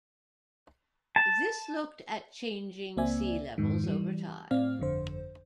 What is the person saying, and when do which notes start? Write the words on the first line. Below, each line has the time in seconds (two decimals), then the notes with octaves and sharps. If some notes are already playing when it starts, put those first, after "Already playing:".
This looked at changing sea levels over time.
1.16 A5
2.97 C#2 A#3 C4 D5 E5 G#5
3.58 F2 G#2 D#3
3.84 E3 G3
4.51 A2 C4 D5 F5 F6
4.79 G1 F2 D3 C5